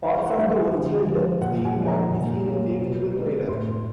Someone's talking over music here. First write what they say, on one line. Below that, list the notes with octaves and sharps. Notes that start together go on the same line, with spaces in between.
Parts of the original death scene can be seen in theatrical trailer.
E3 F5
F#5
G3 B3 F5
D3
F3 G#3
A#2 F#5
G#5
F3 G#3 C#4
A#5
A#2
F#3 A#3 C#4
B2
G#3 B3 D4
A2 C6